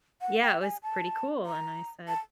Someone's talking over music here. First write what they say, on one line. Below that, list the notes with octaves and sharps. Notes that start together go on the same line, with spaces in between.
Yeah. It was pretty cool, and I said,
F#5
G5
G#5
A5
A#5
A5